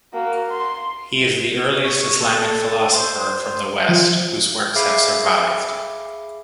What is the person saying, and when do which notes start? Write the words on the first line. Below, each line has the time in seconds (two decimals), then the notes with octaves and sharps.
He is the earliest Islamic philosopher from the West whose works have survived.
0.14 A#3 F#4
0.51 C6
1.83 C#5
2.21 A4
2.93 C5
3.89 F3
4.75 G#4 E5 F5 B5 D6 C7